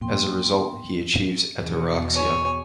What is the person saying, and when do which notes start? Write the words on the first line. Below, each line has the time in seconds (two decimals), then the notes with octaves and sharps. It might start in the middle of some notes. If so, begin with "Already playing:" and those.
As a result, he achieves ataraxia.
0.01 F2 A#2 B3 G5 C6
1.57 E2 B2
2.14 C#5 G#5